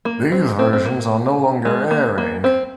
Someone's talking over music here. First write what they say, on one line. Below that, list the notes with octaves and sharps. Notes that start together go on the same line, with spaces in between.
These versions are no longer airing.
A#3
C4
C4
C4
A#3
G#3
A#3
A#3
C4